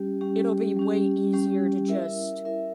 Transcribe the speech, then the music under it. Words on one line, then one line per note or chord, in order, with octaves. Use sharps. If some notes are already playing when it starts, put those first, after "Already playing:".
it'll be way easier to, just,
Already playing: G3 C#4 G4
G3 C#4 G4
G3 C#4 G4
G3 C#4 G4
E4 A#4 E5
E4 A#4 E5